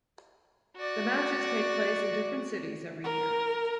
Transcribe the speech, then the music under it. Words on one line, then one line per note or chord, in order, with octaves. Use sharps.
The matches take place in different cities every year.
F#4 D5
A#4